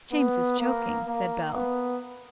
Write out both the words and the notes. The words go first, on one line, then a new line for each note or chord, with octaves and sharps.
"James is joking," said Bell.
B3
A#3
A#3
B3